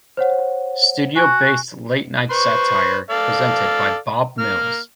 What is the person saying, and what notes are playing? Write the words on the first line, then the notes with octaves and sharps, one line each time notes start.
Studio-based late-night satire presented by Bob Mills.
C5 C#5 F#5
F#4 G#5 C#6
B4 C5 C#6
A4 D5 F5
A#3 F6